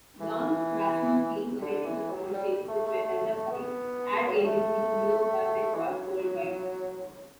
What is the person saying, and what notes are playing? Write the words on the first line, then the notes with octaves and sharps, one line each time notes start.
John Krasinski narrated the commercials, which were developed by ad agency Leo Burnett Worldwide.
E3
D3
E3
F#3
G3
A3
A3
A3
A3
B3
F#3
G3
A3
E3
F#3